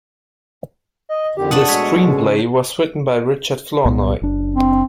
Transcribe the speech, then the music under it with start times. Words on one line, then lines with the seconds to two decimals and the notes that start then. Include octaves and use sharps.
The screenplay was written by Richard Flournoy.
1.09 D#5
1.37 F2 D3 D#3 G4
1.51 A3 D4 F#5 D#6
1.68 B2 G#3 C#5 E5
2.06 C#3
3.85 C2 A#2 B3
4.22 F#1 D4
4.55 C4